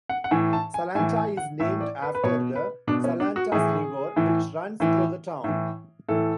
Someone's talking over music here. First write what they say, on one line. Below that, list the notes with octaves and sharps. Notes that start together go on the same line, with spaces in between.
Salantai is named after the Salantas River, which runs through the town.
F#5
F#5
A2 E3 G#5
A5
G#5
A2 E3 G#5
G#5
F#5
A2 E3 E5
D5
B4
B4
B2 C#5
B4
B2 D4
C#4
D4
F#4
A2 E3 G#4
A2 E3
A2 E3
A2 E3
A2 E3 A4